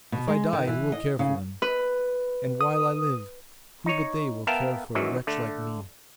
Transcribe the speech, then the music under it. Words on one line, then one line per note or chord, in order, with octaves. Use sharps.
If I die, who will care for them, and while I live who but they will care for a wretch like me?
B2
G#3
D#3
E3
D#5
C#3
B4
D#6
D#4 C#5
B3 A#4 E5 F5 G5 A5
F#2 D#3 E3 F#3
D3 A3